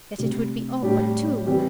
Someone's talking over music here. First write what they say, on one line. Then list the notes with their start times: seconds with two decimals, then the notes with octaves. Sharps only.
Yet it would be awkward too.
0.18 C3 A3 D4 G4
0.82 A2 G3 D4 G4
1.47 E3 G3 C4 G4